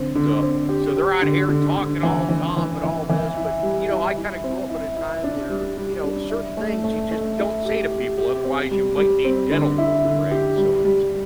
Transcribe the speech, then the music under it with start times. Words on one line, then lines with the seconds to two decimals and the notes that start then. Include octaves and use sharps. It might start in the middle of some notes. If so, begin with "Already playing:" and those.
So so they're out here talking all tough and all this, but, you know, I kinda grew up at a time where, you know, certain things you just don't say to people, otherwise, you might need dental work, right? So it's
Already playing: D3 C4
0.16 D3
0.42 C4
0.69 G4
0.96 G4
1.22 D3
1.49 D3
1.76 D3
2.03 E3
2.29 E3
2.57 E3
2.83 E3
3.09 E3
3.36 E4
3.63 G3
3.89 E4
4.17 E4
4.44 C4
4.69 E4
4.96 E4
5.24 D4
5.50 G3
5.77 G3
6.03 D4
6.30 E4
6.57 A3
6.84 A3
7.11 A3
7.38 E4
7.65 G4
7.91 G4
8.17 G4
8.44 C4
8.71 G3
8.98 G3
9.24 C4
9.51 D3
9.78 E4
10.05 D3
10.31 G4
10.58 G3
10.85 G3